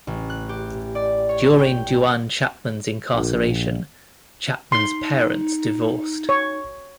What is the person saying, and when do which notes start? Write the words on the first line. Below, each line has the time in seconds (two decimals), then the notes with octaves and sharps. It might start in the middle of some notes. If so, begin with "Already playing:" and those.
During Duane Chapman's incarceration, Chapman's parents divorced.
0.07 A1
0.30 F#6
0.49 G4
0.95 D5
1.29 C#5
1.59 G5
3.13 A#1
4.72 D#4 C6
6.29 C#5